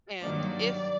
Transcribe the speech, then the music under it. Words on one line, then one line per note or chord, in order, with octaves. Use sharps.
and if
G2 D#3 F#3 A#3 D5